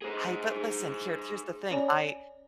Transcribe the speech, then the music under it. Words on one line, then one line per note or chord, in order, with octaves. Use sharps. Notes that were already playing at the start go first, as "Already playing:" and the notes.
I but listen, here here's the thing. I
G#4 C5
C#4 C#5 D5 G#5